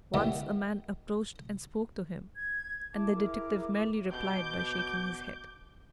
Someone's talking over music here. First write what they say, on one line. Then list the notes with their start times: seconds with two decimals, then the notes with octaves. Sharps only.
Once a man approached and spoke to him, and the detective merely replied by shaking his head.
0.14 D#3 E3 G3 A3 B3
2.35 G#6
2.93 E4 A5 D6
3.13 E4 G#4 A#4 D6
4.12 B2 D6 G6